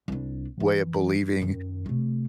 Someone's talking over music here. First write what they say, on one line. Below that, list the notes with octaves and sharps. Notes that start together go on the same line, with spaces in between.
way of believing,
C2 D4
E3
F#2 D#3
C3 A3